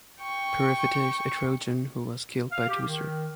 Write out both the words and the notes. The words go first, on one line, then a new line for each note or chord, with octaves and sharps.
Periphetes, a Trojan who was killed by Teucer.
G5 C#6
F5
G4
D#3